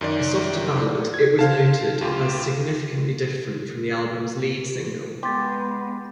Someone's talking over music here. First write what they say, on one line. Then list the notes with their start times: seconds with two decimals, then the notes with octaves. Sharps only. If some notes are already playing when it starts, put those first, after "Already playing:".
A softer ballad, it was noted as significantly different from the album's lead single.
0.01 F#2 D#3 D5
1.14 G#6
1.39 C5 F5 A5
2.01 D2 F4 G4
5.23 G#3 B3 G4 C6 A6